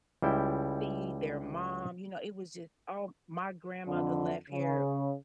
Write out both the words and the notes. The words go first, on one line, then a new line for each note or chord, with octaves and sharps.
see their mom, you know, it was just oh, my grandmother left here
C#2 G3 E4 G5
F2 D3 F3
C#3